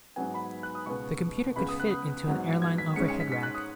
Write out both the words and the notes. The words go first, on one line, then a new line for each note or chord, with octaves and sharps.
The computer could fit into an airline overhead rack.
G#2 F#3 B3 G#5
B5
F#6
D#6
C#2 B2 B3 C#6
C#2 C#3 B3 B5
D#6
F#6
G#2 F#3 B3
G#6
B6
G#2 G#3 C#4 C#7
C#7
B6
B6
F#6
D#6